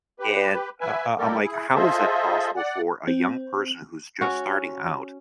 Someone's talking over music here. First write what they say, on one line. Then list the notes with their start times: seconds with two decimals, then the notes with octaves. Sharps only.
And I I I'm like, "How is that possible for a young person who's just starting out?"
0.20 G4 B4
0.81 B4 E5 G#5
1.18 D#3 G3 A#3 G4 A4 A#4
1.44 E4 G#4
1.74 F4 G#4 A4 C5 D#5 E5
2.56 D5 F#5
3.08 C4
4.21 C#4 F#4